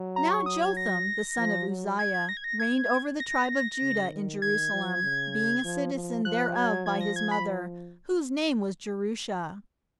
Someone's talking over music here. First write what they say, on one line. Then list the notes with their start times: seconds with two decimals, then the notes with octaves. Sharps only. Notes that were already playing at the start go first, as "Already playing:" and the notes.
Now Jotham the son of Uzziah reigned over the tribe of Judah in Jerusalem, being a citizen thereof by his mother, whose name was Jerusha.
Already playing: F#3
0.16 A#5
0.31 C#6
0.46 D#6
0.61 G#6
0.77 A#6
1.37 F3
1.68 F#3
1.99 G#6
2.14 G#6
2.29 A#6
2.37 G#6
2.44 A#6
2.60 G#6
3.20 A#6
3.81 C#3
4.11 D#3
4.42 D#3 G#6
4.72 F3
5.03 C#3
5.64 F3
5.94 F3
6.25 F3 F#6
6.56 F#3 G#6
6.86 F3 G#6
7.01 A#6
7.16 G#6
7.31 B5